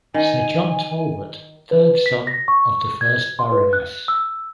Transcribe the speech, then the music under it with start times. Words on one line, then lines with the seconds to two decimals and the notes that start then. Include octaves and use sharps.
Sir John Talbot, third son of the first Baroness.
0.14 D#3 G#5
1.71 B4
2.06 B6
2.27 A#6
2.48 C#6
3.01 G#6
3.39 C6
3.52 B4
3.73 F#6
4.08 E6